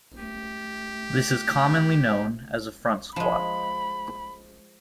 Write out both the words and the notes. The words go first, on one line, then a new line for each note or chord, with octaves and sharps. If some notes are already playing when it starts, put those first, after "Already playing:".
This is commonly known as a front squat.
A3 G4
F3 G#3 B5